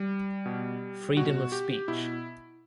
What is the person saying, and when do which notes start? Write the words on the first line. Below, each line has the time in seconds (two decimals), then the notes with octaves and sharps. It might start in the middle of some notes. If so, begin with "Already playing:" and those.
Freedom of speech.
Already playing: G3
0.46 B2
1.16 B2 F#4
1.52 G4
1.88 B2 E4